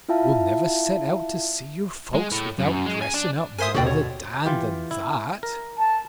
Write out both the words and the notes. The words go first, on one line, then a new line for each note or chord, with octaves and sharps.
"You will never set out to see your folks without dressing up more the dand than that?"
E4 F4 E5 F5 A5
G#3
A2
F#2
G#3
G#5
D4
A#4 C5 E5 G#5 C6 D#6
D#2 B2 D3 F#4 D5 G5
C#5
E3 F4 G4
E4
A#4
A5